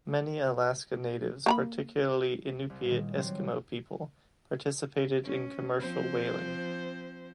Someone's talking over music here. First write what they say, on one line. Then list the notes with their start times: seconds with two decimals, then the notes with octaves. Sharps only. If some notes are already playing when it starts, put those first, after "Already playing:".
Many Alaska Natives, particularly Inupiat Eskimo people, participated in commercial whaling.
1.46 A#3 A#5 B5
2.70 C2
2.85 A#2 D#3
3.16 F#3 G3 C4
5.23 C#4
5.80 F3 C4 C5